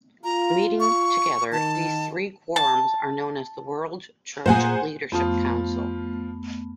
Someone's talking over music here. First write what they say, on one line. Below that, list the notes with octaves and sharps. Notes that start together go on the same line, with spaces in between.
Meeting together, these three quorums are known as the World Church Leadership Council.
F4 A#5
C#6
D#3 A5
A5
A#2 A#3 G#4 C5 F#5 G#5
F2 F3 A3 B3 F4 A5 D#6